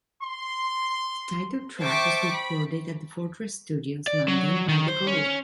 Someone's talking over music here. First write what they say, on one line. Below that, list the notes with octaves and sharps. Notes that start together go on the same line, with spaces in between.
The title track was recorded at The Fortress Studios, London, by The Go!
C6
C5 E5 G5 A5 C#6 D6
B5
D5
F#3
D#3
C5
C#4